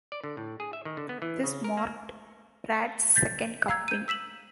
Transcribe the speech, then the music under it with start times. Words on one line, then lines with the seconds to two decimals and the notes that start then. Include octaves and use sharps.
This marked Pratt's second Cup win.
0.12 D5
0.24 D3
0.37 A2
0.60 G#4
0.73 E5
0.85 D#3
0.97 D3
1.09 B3
1.22 E3
1.44 C#3
1.64 A#4
1.77 A#3
3.16 G6 A6 B6
3.68 F5 A#5 E6 G#6
3.88 G6 D#7
4.08 E6 B6 E7 F#7